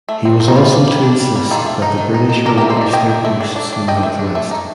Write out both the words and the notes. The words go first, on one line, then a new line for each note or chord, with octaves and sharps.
He was also to insist that the British relinquish their posts in the Northwest.
A3
C4
C4
D#4
G3 F4
D4
G3
D4
G3
G3
D#3 F4 A4
A3
D#4
D#3
D#4
D#3
D4 G4 A#4
G4 A#4
A3
A4 C5
D#3 A#4 D5
A3 D#5 G5
D#3
A3
D4
D4
D4
D4 D#5 G5
A3
D4
A3
D#4